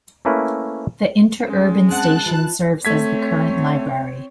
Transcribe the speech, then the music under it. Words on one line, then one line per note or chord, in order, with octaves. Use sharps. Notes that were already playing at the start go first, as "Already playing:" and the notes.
The interurban station serves as the current library.
A3 A#3 C#4 E4 B4
G#3 C#4
C4 F#5 A5 F#6
E3 F4
A3 C4 C#5 G#6 B6